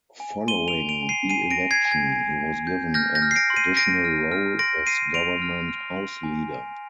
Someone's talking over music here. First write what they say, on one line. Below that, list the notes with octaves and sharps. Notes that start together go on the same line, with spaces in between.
Following the election, he was given an additional role as Government House Leader.
G#5
C6 D#7 G7
D7 F7
G#5
D7 F7
G#5
C7 D#7
G#5 C7 D#7
A#6 D7
G#5
G#6 C7
G#5
G#6
G#5
G#5
G6
F6 G6 A#6
G6 A#6
F6
C7
A#6 D7
C6
C7 D#7
F6 A#6 D7
F6
F6
C6 A#6 D7
C6 C7 D#7
C6 D7 F7
F6
F6
C6
G#5
G#5